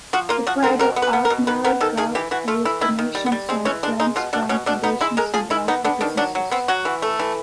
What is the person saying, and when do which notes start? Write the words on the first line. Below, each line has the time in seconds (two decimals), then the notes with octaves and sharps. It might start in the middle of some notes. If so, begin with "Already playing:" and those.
The Pride of Atmore group used donations and grants from foundations and local businesses.
0.13 F3 F#4
0.29 A#3 F4
0.47 F3 F#4
0.63 D3 A#4
0.79 B2 A#4
0.96 B3
1.02 B4
1.13 B3
1.25 A#4
1.30 B2
1.47 D#3 B4
1.64 B3 A#4
1.81 D#3 A4
1.97 D#3 G#4
2.15 E3 G4
2.31 E3 F#4
2.48 A3 F4
2.65 E3 E4
2.81 D#3 E4
2.99 D#3
3.15 G3
3.26 B3
3.32 G3
3.49 G#3 C4
3.65 E3 C#4
3.83 G#3 D4
4.00 G#3 D#4
4.16 B2 F4
4.33 B2 D4
4.49 B2 C#4
4.66 B2 D4
4.83 B3 D#4
5.01 G#3 E4
5.17 G#3 A#4
5.34 F3 G#4
5.50 D#3 E4
5.68 B3 D#4
5.84 B3 D4
6.01 D#3 D4
6.17 F#3 D4
6.35 F#3
6.51 B3 C4
6.68 F#3 F#4
6.85 E3
7.02 A3
7.19 E3